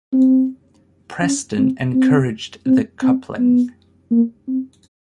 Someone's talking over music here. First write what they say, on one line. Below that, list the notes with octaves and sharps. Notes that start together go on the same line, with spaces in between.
Preston encouraged the coupling.
C4
C#4
C4
C4
C4
C4
B3
A#3
C4